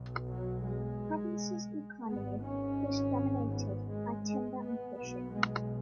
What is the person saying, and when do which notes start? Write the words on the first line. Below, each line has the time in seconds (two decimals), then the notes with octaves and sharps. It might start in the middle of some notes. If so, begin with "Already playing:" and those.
The province's economy was dominated by timber and fishing.
Already playing: B1 B2
0.28 F#3
0.63 G#3
2.09 G#1 G#2 B3
2.44 C#4
3.53 B3
3.89 G#3
4.26 G#3
4.62 B3
4.98 B1 B2 B3
5.34 G#3